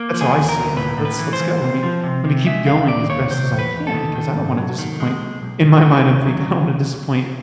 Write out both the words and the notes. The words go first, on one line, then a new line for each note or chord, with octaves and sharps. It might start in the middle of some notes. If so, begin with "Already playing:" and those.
That's how I see it and I'm like, "Let's let's go. Let me let me keep going as best as I can because I don't wanna disappoint," in my mind, I'm thinking, "I don't wanna disappoint
Already playing: A#3
F3
G#4
D2
A#4
D2
A2 B4
A2
B4
E3
C5
E3
C3
F3
C3
C3
G#3 E5
D#2 F5
D#2 D5
D#2 C#5
C3 C5
E2
B4
E2
A4
D#3
D#3
G#2
F#3
D#3
G#3
B1
B1
B1
A3
D#2
F#3